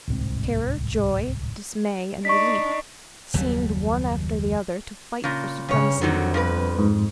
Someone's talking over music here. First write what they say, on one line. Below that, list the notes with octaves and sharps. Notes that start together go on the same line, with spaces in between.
Terror, joy, dismay, and relief seemed, one after the other to fight for supremacy.
D1 C2 G#2 C4
D4 D#4 C#6 B6
F#1 D#2 F#3 G3
A#2 C#3
G2 C#3 C#5
F2 D3 D#3 F#3
G2 B2 B4
G#2